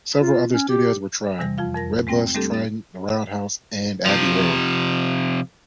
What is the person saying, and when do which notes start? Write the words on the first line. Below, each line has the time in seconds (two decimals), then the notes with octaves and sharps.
Several other studios were tried: Red Bus, Trident, The Roundhouse and Abbey Road.
0.21 F4
0.52 C#4
0.69 G4
1.38 E2 C3 E3 G3 A#6
1.58 F2 F3 F4 F5
1.75 F2 A#4 A#6
2.07 G#3 A3 C4 G5 A#6
2.34 G3 A3 C4 D4 G4 A4
2.54 A6
4.06 C3 F3